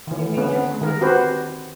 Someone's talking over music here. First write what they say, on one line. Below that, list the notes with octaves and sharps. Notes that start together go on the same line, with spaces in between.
They made their home in Nuremberg.
D#3 E3
D3 B3 C#4
D#3 A#4
C4 F#4 G4 B4 C5